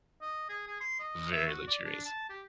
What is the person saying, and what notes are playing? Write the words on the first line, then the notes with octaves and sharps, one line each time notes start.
Very luxurious.
D#5
G#4
G#4
C6
D#5
E5
F#4
D5
D4
A5
G4